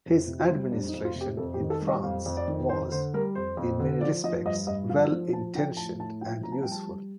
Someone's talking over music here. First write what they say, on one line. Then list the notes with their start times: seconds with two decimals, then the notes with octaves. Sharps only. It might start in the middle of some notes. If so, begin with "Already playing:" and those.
His administration in France was, in many respects, well-intentioned and useful.
0.06 F2
0.27 C3
0.39 F4
0.50 G3
0.72 F2 D4
0.88 D#4
0.94 F2
1.05 F4
1.16 C3 G4
1.37 F2 A4
1.54 G4
1.60 D#3
1.70 A4
1.82 G3
1.87 D#5
2.04 F2 F5
2.26 F2
2.37 D5
2.48 D#3
2.69 F2 C5
2.91 D3 C5
3.14 G3 A#4
3.35 F2 C5
3.57 F2
3.80 D3
4.01 F3 D5
4.24 F3 D#5
4.45 G2 D#5
4.67 G2 D#5
4.89 F3 F5
5.12 F3
5.33 F3 A5
5.55 F3 G5
5.77 A2 A5
6.00 A2 A5
6.21 F3 G5
6.43 F3 A#5
6.52 A5
6.63 G3 G5
6.72 A5
6.87 G3